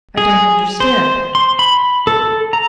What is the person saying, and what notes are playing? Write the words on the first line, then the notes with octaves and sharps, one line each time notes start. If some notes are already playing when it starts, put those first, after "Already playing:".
"I don't understand."
G#4
C5
C6
B5
A4
A#5